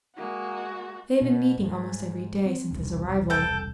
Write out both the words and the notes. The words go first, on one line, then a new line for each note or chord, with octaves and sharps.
They had been meeting almost every day since his arrival.
G#3 A#3 F#4
B2
G#2
C4
E1 C2
A4 G5